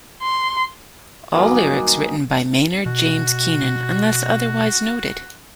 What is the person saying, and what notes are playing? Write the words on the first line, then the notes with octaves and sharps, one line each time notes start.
All lyrics written by Maynard James Keenan, unless otherwise noted.
C6
G2 D#3 F#3 A#3 F#4 G#5 D#6
B2 F#4